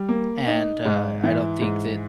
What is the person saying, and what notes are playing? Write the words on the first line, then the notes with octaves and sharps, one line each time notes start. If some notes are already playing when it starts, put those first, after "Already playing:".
And, uh, I don't think that
Already playing: G3
A#3
D#4
G#2
E3
G#2